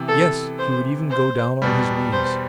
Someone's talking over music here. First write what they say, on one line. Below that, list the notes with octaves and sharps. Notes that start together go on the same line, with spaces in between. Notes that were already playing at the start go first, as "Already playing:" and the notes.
"Yes, he would even go down on his knees."
Already playing: C3 E3 B3
A4
C5
C5
E2 B2 G3
C5